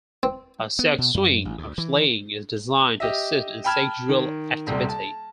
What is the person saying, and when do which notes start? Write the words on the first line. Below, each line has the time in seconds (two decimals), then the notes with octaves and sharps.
A sex swing or sling is designed to assist in sexual activity.
0.23 C4
0.79 B3
0.98 B2
1.14 F#2
1.45 A1
1.59 D2
1.78 E3
3.00 G4 D#5 E5
3.64 G5 A5 B5 F6 G#6 E7
4.09 D#3
4.67 D#1 C3 G3
4.89 A5